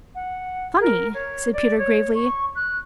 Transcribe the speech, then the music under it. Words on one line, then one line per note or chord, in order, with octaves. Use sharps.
"Funny!" said Peter gravely.
F#5
A#4
C#5
D5
C#5
C#6
F#6